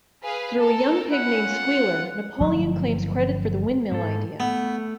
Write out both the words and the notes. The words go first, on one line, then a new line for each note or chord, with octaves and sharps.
Through a young pig named Squealer, Napoleon claims credit for the windmill idea.
G#4 B4 F5
A4 A#4
C#4 E4 F#5
F4
G1 F3 F#3 A3
G#2 A4
A3 B3